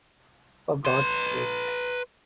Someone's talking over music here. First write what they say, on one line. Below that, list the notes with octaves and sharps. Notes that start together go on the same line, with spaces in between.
For God's sake.
B4 C6